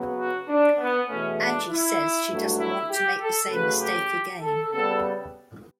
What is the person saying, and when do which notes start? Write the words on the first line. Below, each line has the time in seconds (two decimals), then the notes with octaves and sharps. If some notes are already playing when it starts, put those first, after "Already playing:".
Angie says she doesn't want to make the same mistake again.
Already playing: C#3 F#3 B3
0.18 F#4
0.49 D4
0.79 B3
1.09 E2 B2 A3 C#4
1.39 D4
1.69 E4
2.30 G2 F#3 A3
2.60 E4
2.90 G4
3.20 A4
3.51 C#3 F#3 A3 B4
3.81 G4
4.41 A4
4.71 C#3 G3 B3 A4